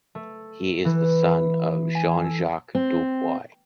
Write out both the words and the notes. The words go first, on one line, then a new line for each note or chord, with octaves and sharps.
He is the son of Jean-Jacques Duboys.
A3
E3
G#5
A4
C4